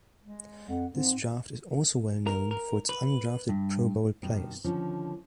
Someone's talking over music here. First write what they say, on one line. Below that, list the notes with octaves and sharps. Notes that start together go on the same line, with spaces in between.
This draft is also well known for its undrafted Pro Bowl players.
G#3
F2 F#5
G#2 C4
A#4
A#4
B4
G2
G2 B2 D#3 C4
D3 D#3 F3 C#4